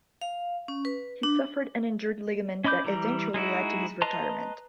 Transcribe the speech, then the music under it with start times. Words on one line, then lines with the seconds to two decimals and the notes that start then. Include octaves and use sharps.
He suffered an injured ligament that eventually led to his retirement.
0.21 F5
0.68 C#4
0.85 B4
1.23 D4
2.64 C#4 D#5 B5 D6 G6
2.84 E3 G3 A#5
3.34 G#3 D#4 E4 F#4
4.02 B4 D#5 A5 A#5 C6